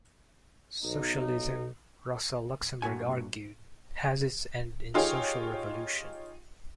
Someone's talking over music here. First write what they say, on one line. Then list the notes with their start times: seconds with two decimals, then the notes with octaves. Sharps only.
Socialism, Rosa Luxemburg argued, has its end in social revolution.
0.83 B1 D#4
2.82 G2 A#2 A3 F#4 G#5
4.94 D#4 F4 G4 G#4 C#5